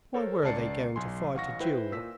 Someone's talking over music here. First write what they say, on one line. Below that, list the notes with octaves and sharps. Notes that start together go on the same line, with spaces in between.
Why were they going to fight a duel?
A4 A#4 C5 C#5
C#2 C#4 D5 A5 C7 C#7
B1 G#5 C6
A1 F5 F#5 C#6 A#6
E4 B4 C5 G5
A#2 E6 B6